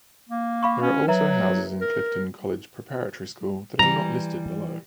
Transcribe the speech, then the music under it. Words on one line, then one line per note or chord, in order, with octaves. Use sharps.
There are also houses in Clifton College Preparatory School that are not listed below.
A#3
F5 B5 C#6
C#4
F#3 B4 E5 A#5
A#4
E3 G3 A#5